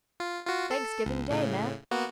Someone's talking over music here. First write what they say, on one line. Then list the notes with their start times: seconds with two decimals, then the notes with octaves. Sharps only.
'Thanksgiving Day, man!
0.20 F4
0.46 F4 F#4
0.71 A4
1.05 C#2
1.31 A2 C#3
1.91 A#3 B3 F#4